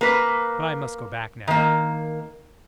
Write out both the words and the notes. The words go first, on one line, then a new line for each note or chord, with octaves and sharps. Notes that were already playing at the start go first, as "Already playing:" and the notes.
But I must go back now.
A#3 B4
D#3 A#3